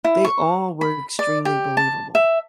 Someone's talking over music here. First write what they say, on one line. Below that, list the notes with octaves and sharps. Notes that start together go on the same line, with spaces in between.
they all were extremely believable.
E4
C#6
B5
D5
G4
A5
E5